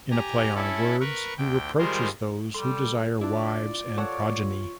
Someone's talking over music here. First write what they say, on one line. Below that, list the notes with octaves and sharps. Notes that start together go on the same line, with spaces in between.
In a play on words, he reproaches those who desire wives and progeny.
G4 G#5 A#5
C#4 E4 A4
A#4 B4 C#6
D2 G5
D#3 G3 G#3 F4 A#4 C5
G3 A4 C6
D4 E4 F4 D5
A4 C5 C#5 F#5